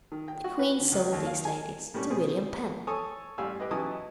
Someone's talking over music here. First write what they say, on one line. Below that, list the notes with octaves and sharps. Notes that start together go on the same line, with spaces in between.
The queen sold these ladies to William Penn.
D#3
G5
F#4
B4
D3
C#2
D#2
F5
G#5
A2 G3 A#3 C#4
B2 C4 G#4
A4 C#5 G#5 D#6
A1 G3 F5 G#5 E6
G4 B4 D#5
E3 F#3 C#4 D#4 A5 D#6